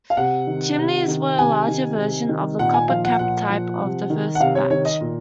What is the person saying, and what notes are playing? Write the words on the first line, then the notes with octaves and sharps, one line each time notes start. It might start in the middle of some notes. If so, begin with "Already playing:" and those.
Chimneys were a larger version of the copper-capped type of the first batch.
F5
C3 F#5
D#3
C3
D#3
C3 G#5
D#3
C3
D#3
A#2 F#5
G#5
F3 F5
F#5
A#2 F#5
F3
C3
D#3
F#5
C3 F5
C#5
D#3 C#5
D#5
A#2